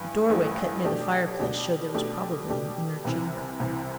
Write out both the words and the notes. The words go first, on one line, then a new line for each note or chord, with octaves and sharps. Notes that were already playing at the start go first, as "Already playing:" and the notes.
A doorway cut near the fireplace showed there was probably an inner chamber.
Already playing: G2 E3
A1 G2 E3 A3
B2 A3 D4 G4
B2 A3 D4 G4
B2 A3 D4 G4
B2 A3 D4 G4
C2 C3 E3
C2 C3 E3